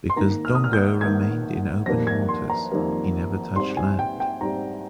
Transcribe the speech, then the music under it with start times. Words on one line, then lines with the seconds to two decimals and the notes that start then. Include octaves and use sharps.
Because Dongo remained in open waters, he never touched land.
0.10 C6
0.16 G#2 D#3 A#3 A#5
0.45 F6
0.55 D#6
0.64 F6
0.73 G6
1.01 G#2 D#3 A#3 G#6
1.86 F2 D#3 G3 A#3 A#6
2.07 G#6
2.28 C6
2.50 A#5
2.72 F2 D#3 G3 A#3
3.56 G#2 G3 C4 C6
3.77 G#5
3.99 G5
4.20 G5
4.41 G#2 G3 C4 A#5